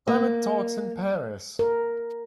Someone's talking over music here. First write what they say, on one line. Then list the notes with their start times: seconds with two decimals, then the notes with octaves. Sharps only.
Climate Talks in Paris.
0.08 A#3
1.59 A#4